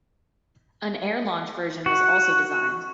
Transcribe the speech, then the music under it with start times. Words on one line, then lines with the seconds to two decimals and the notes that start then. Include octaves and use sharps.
An air-launched version was also designed.
1.86 F#4